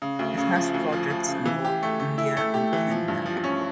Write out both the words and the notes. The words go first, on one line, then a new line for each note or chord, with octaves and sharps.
It has projects in both India and Kenya.
C#3
D2
C#3
F3
D2
F3
F3
C#3
E3
G4
A3
A3
E4
A3
G4
E3
F3
G2
F3
C#4